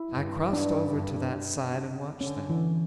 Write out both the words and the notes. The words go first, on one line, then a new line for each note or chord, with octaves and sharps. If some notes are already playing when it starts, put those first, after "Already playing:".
I crossed over to that side and watched them.
Already playing: E4
G2
D4
D3 C#4
E3